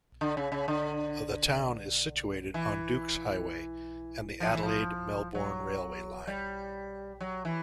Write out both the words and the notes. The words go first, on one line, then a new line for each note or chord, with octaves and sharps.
The town is situated on Dukes Highway and the Adelaide-Melbourne railway line.
D3
C#3
C#3
D3
E3
F3
E3
F3
F#3
G3
F#3
E3